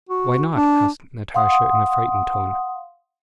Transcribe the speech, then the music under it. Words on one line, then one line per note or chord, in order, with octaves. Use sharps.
"Why not?" asked Natasha in a frightened tone.
F#4
D4
F5 F#5 C6 D#6